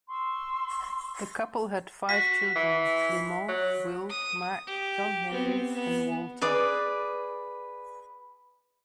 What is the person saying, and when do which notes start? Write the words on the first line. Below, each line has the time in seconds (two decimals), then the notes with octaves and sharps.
The couple had five children: Clement, Will, Mack, John Henry, and Walter.
0.09 C6 C#6 E6
2.09 F#4 B6
2.56 E3
3.48 F#3
4.09 D#6
4.67 G4
5.32 B3 C4
5.74 B3
6.41 G#4 B4 D5 D6